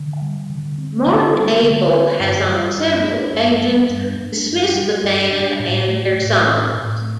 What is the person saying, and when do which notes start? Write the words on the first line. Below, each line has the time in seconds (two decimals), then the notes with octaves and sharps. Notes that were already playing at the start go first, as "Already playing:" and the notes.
Morten Abel has on several occasions dismissed the band and their songs.
Already playing: D3
0.22 G3
0.50 D3
0.78 C4
1.07 D3
1.35 G3
1.63 D3
1.91 C4
2.20 G2
2.48 G3
2.77 G2
3.05 D4
3.34 G2
3.61 G3
3.89 G2
4.18 D4
4.46 G2
4.75 G3
5.04 G2
5.32 D4
5.59 A2
5.88 A3
6.16 A2
6.45 C4
6.73 A2
7.01 A3